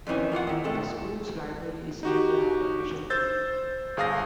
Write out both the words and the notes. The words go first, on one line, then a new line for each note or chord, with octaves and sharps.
The school's library is named after Bishop Gilbert.
F2 D#3 E3 C#4
A#3 F4 F5 F#5
D#3 E4
C3 G#3 A3 F4 A4
D#4 F#4 G4
C5 E6 G6 A6
G1 G#4 F5 D#6 A#6